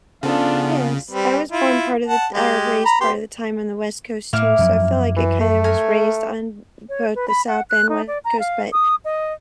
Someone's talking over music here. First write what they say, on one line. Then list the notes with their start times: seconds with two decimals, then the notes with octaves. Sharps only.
It is. I was born part of the t or raised part of the time on the West Coast too, so I feel like it kinda was raised on b both the South and West Coast, but,
0.23 C#3 F3 B3 D4 F4 A4
1.11 G3 C4 B4
1.52 E4 F4
2.06 F#5 A5
2.33 G#3 G4
2.85 A#5 B5
3.01 B3 G4 C6
4.33 A2 A#3 E4 F6
4.59 F#2 F3 F#3
5.16 E3
5.41 A3
5.64 A#4 G#5
6.89 C#5
7.15 B4
7.28 B5
7.47 F#5
7.70 F#6
7.89 D#4
8.07 D5
8.25 A#5
8.40 F5
8.73 D#6
9.05 D#5